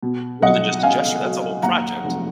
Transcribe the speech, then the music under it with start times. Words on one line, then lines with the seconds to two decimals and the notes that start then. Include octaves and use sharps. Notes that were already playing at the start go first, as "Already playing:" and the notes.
more than just a gesture, that's a whole project.
0.03 B2
0.42 B1 D#5 F#5
0.83 C#4 F5 G#5
1.23 F#3
1.63 D#2 F#5 A#5
2.04 F1